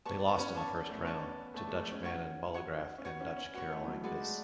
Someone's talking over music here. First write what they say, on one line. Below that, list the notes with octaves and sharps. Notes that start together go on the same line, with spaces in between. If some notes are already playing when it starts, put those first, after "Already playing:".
They lost in the First Round to Dutch Manon Bollegraf and Dutch Caroline Vis.
B3 D5 A5 C#6
B3
C#4
B3 D5 A5 C#6
B3
A3
B3
C#4 D5 A5 C#6
B3
A3 D5 A5 C#6
G#3
A3
C#4
F#4 C#5 F#5 C#6
F#4 C#5 F#5 C#6
C#4
B3 F#4 C#5 F#5 C#6
C#4
C#4
B3 F#4 C#5 F#5 C#6
A3
E3
F#3
G#3 F#4 B4 D5
A3